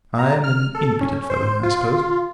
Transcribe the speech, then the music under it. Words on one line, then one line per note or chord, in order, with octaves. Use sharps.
I am an impudent fellow, I suppose.
A#5
F6
A4
C#4
C5
F4